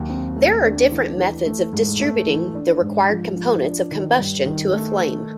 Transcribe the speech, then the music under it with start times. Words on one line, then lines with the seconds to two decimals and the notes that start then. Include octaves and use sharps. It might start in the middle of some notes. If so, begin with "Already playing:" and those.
There are different methods of distributing the required components of combustion to a flame.
Already playing: D#2 F#3
0.09 C4
0.36 A3
0.64 D4
0.91 E3
1.18 E3
1.45 A3
1.73 G#2
2.00 A3
2.27 E3
2.55 D4
2.81 G#2
3.10 F3
3.36 F3
3.64 D4
3.91 D#3
4.18 G2
4.45 D#3
4.73 A3